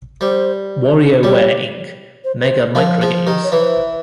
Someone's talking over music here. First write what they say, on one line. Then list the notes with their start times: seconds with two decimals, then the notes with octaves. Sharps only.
WarioWare, Inc.: Mega Microgames!
0.21 G3 C5
1.23 G3 C#5
2.24 C5
2.41 B4
2.50 C5
2.75 F3 A#4
3.01 F3 G#4
3.26 D#3 G4
3.44 C#5
3.52 E3
3.61 C5